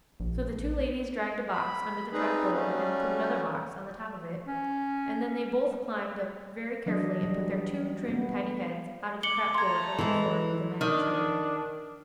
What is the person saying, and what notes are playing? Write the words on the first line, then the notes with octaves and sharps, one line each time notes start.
So the two ladies dragged a box under the trap-door and put another box on the top of it, and then they both climbed up very carefully and put their two trim, tidy heads out of the trap-door to look for the 'mad children'.
A#1
B5
G3 C4 D#4 G#4 B4
F#3 G3 A3 C#4
C#4
E3 F#3 D4 D#5
F#3 G3
B3
D6 C#7 F#7 G7
A3 A#5 C6 G#6
E3 G#3
D#3 D4